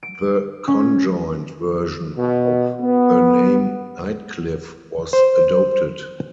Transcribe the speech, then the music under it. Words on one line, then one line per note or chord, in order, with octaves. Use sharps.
The conjoint version of the name, "Nightcliff" was adopted.
D7
C#4
B2
B3
C5